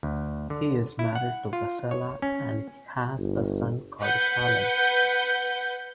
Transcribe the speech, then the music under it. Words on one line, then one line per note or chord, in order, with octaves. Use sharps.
He is married to Vessela and has a son called Kalin.
D2
D3
E4
F#5
F4
C#5
C#4
G1
B4 F#5 G6